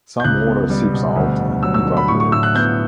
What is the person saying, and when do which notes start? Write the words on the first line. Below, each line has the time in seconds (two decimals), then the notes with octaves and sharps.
Some water seeps out and evaporates.
0.20 G6
0.24 C#2 F#6
0.47 B3
0.70 G3
0.93 B2
1.16 D2
1.40 D2
1.63 F#3 E6
1.74 E6
1.85 D3
1.97 B5
2.08 A2 C#6
2.20 C#6
2.32 A2 E6
2.43 F#6
2.55 B3 G6